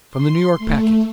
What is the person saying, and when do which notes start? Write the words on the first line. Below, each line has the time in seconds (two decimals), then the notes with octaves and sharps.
From the New York Packet.
0.11 C6
0.59 A3